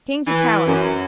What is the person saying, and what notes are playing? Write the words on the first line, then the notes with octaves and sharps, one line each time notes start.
King to tower.
E3
F#2